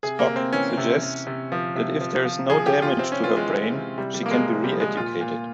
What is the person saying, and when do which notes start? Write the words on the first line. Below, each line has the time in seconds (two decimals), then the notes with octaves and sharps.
Spock suggests that if there's no damage to her brain, she can be re-educated.
0.03 C3 G#4
0.19 A#3
0.27 C3
0.36 C4
0.53 E3 C#4
0.77 C3
1.02 C3
1.27 C3
1.52 F3
1.75 C3
2.01 F3
2.25 F3
2.49 F3 G#4
2.66 G4
2.75 F3
2.82 F4
2.99 C3 C4
3.12 C#4
3.23 E3 F4
3.37 G#3
3.48 E3
3.74 C3
3.98 C3 G3
4.14 G3
4.23 F3 A#3
4.31 G#3
4.47 C3 G#3
4.64 G3
4.72 F3
4.80 G#3
4.96 A#2 F4
5.21 A#2